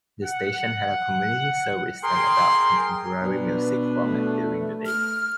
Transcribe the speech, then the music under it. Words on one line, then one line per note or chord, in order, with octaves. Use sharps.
The station had a community service and adult contemporary music format during the day.
F#5
G#4 A#4 G5 C6
B2 D4 B4
A3
F6